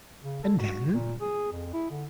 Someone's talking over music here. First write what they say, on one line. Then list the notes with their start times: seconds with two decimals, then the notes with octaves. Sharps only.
"And then?"
0.22 C#3
0.43 A4
0.58 F#4
0.93 A#2
1.21 G#4
1.52 F2
1.73 E4
1.91 D3